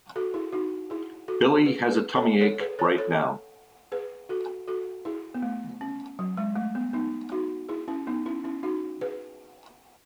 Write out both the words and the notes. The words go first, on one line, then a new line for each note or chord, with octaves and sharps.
Billy has a tummy ache right now.
F#4 A4
E4 G#4
D#4 F#4
E4 G#4
F#4 A4
G#4 B4
G#4 B4
A4 C#5
A4 C#5
G#4 B4
A4 C#5
A4 C#5
G#4 B4
F#4 A4
F#4 A4
E4 G#4
B3
A3
C#4
F#3
G#3
A3
B3
B3 D#4
D#4 F#4
E4 G#4
C#4 E4
B3 D#4
C#4 E4
C#4 E4
D#4 F#4
G#4 B4